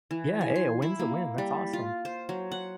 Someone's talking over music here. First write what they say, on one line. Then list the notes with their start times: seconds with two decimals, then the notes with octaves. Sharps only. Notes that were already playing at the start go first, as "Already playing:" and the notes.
Yeah, hey, a win's a win. That's awesome!
0.11 E3
0.41 G#5
0.56 C6
0.82 E4
0.99 A#3
1.38 G3
1.73 F4
2.05 C5
2.29 F#3
2.52 F#5